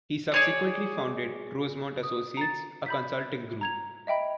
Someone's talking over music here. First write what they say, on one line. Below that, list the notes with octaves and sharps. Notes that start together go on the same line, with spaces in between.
He subsequently founded Rosemont Associates, a consulting group.
G#4 C#5 D5
D#6
A#5 A6
B5 G6 B6
A#5 G#6 F7
D#5 E5 G5 B5